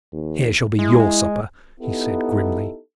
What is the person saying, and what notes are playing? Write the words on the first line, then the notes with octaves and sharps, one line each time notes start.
"Here shall be your supper," he said, grimly.
D#2
G#3 E4
B3 D#4 E4 G4 A4